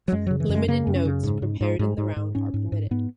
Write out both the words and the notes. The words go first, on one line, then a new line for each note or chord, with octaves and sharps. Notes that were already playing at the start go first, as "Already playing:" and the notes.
Limited notes, prepared in the round, are permitted.
F#3
F#2 G#3
C#3 F#3
E3
F#2 G#3
C#3 A#3
F#2
C#4
C#3
G#2
G#2
G#2
G#2
G#2
G#2
G#2 C#4
G#2
G#2
G#2 B3